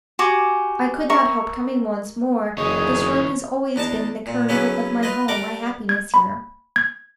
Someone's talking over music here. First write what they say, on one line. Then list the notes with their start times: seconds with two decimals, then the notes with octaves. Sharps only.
'I could not help coming once more. This room has always been the kernel of my home, my happiness here.'
0.19 F#4 G4 G#5 D6
1.10 A#4 E5 C#6
2.58 F#1 E3 D#4 G#4 C#5
3.76 E2 D4 D#4 A5
4.27 A#2
4.49 C#3 F#3 B3 C#4 E4 B4
5.03 F4 B4 D#5
5.28 G3 A#4 F#5 D6
5.89 G#6
6.14 B5
6.76 G#6